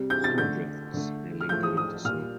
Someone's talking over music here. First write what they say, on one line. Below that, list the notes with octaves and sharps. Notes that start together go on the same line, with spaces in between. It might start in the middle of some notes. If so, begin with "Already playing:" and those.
Some drifts may linger into summer.
Already playing: C3 G3
G6
A6
D3 A3 G6
D3 A3
F6
A2 F3 A3 G6
D#6
D#6
A#2 G3 F6